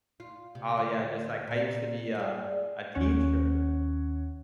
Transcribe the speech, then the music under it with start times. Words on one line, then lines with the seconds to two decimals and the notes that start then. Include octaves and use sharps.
"Oh, yeah, just like, I used to be a a teacher."
0.20 F4
0.55 C3
0.77 D2
1.47 A#2 D5
2.15 G3 G#4
2.95 D#2 C#4 C#5 F#5